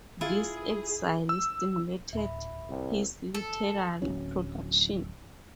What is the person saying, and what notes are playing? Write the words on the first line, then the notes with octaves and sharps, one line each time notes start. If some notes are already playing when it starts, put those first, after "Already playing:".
This exile stimulated his literary production.
E4 F4 G#4
E6
D1 E5 B5
C2
A4
D1 F#2 F#3 C#4